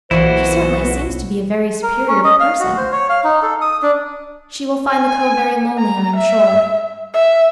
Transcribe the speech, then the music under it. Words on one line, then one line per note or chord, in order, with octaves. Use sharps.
She certainly seems to be a very superior person; she will find the Cove very lonely, I am sure.
B1 A#2 E3 E4 F#4 C5
A#4
C#4
D#5
F5
F#4
C5
C#5
F5
D#4
A4
D#6
D4
G#5
A#5
E5
E5